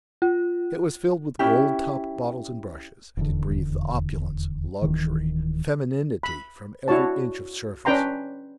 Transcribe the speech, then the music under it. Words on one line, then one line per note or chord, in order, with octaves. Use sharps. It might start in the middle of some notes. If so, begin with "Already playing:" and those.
It was filled with gold-topped bottles and brushes, and it breathed opulence, luxury, femininity from every inch of surface.
F4
C#4 E4 G4
D#1 E2 D3
D1 D#3 E3
B5
D4 E4 F#4 C#5 A5
C#4 D4 B4 G5 A#5 C6